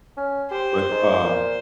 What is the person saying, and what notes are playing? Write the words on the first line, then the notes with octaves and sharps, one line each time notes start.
But, um,
C#4
G4 C5
G#2
A#2